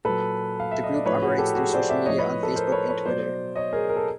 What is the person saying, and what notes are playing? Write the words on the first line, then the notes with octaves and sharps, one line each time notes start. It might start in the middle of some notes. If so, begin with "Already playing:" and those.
The group operates through social media on Facebook and Twitter.
A#2 F#3 A4 B4
F5
E5
D#5
D5
A2 F3 B4 C#5
F#4 G#4
G4 A4
F#4 G#4
C5 D5
D5 E5
A2 F3 C#5 D#5
B4 C#5
A4 B4
A#4 C5
B4 C#5
B4 C#5
B2 F#3 C5 D5
C#5 D#5
G#4 A#4
A#4
A4